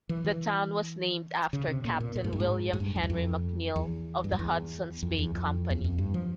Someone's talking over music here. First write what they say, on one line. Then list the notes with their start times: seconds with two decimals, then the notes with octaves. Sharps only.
The town was named after Captain William Henry McNeill of the Hudson's Bay Company.
0.09 E3
0.25 E3
1.53 C#3
1.68 C3
1.85 A#2
2.00 A#2
2.16 A#2
2.24 G#2
2.33 G2
2.40 G#2
2.73 G#2
2.80 G2
2.96 F2
3.03 E2
3.10 F2
3.76 E2
4.24 G2
4.32 F2
4.39 E2
5.03 F2
5.18 E2
5.35 F2
5.70 E2
5.84 F2
5.98 G2
6.14 F3